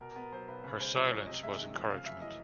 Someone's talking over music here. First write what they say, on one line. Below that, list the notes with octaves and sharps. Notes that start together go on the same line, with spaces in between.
Her silence was encouragement.
B2 A#4
A#4
B3
A#4
F#3 C5
B1 B4
C#3 B4
G#3 C5
F3 C#5
F#2 C#5
C3 D#5
G#3 E5
D#3
F2
C#3 F5
F#2 E5
E3 D#5